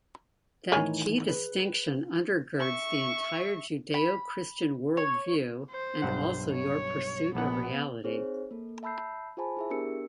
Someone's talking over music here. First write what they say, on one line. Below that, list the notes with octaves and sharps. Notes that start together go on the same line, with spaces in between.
That key distinction under-girds the entire Judeo-Christian worldview, and also your pursuit of reality.
A2 D#3 E3 A#4 C#5 G#5
G#4 B4
E5 C#6
B5
C#5
C5
B1 G2 F#5
C#5
A#1 B3 F#5
C4 D#4 G#4 C5 C#5
A#3 A4
E5 A5 B5 E6 G6 C7
F4 G#4 C5 G#5 A5 B5
E4 G#4 E5
B3 D4 G4 A#4 E6 C#7